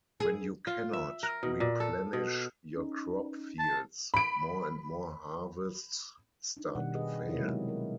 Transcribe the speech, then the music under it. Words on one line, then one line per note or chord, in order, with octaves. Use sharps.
When you cannot replenish your crop fields, more and more harvests start to fail.
G#4
F4
E5
A#4
B2
A#2
A4
B2
C#4 D#4
A5
B5 D7
D4 D#4
B2 D#3 G3 D5 F#5
G4 G#4 B4 D#5
C3 E4 A#4 C#5
F#3 G#3 A#3 B3 D#4
A#4